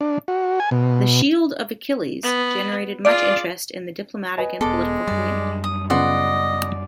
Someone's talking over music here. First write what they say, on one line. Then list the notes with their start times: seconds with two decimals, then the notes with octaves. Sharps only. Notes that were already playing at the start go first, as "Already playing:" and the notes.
"The Shield of Achilles" generated much interest in the diplomatic and political community.
0.01 D4
0.28 F#4
0.60 G#5
0.71 B2
2.23 B3
3.05 F4 G#4 D5
4.38 B4 D#5 G#5
4.61 E1 G#3 B3 A4 D6
5.08 F#2 G3 D5
5.64 D#6
5.90 C#3 B3 F4 C5 D5 D#5 F#5